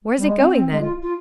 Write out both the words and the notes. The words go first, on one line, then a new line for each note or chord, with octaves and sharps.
"Where is it going then?"
G3
G#3
C4
C4
G#3
F4
F4